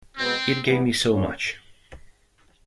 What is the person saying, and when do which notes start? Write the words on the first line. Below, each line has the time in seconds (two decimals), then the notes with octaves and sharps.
It gave me so much.
0.17 B2 G#3 B3 C4
0.64 E3 G3 B3
1.12 D3 F#3 A#3 C#4